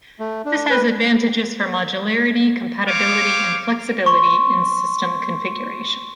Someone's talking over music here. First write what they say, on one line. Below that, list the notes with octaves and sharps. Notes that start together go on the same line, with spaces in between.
This has advantages for modularity, compatibility, and flexibility in system configuration.
A3
D4
B4
C5 C#5 F5 D6
C6 C#6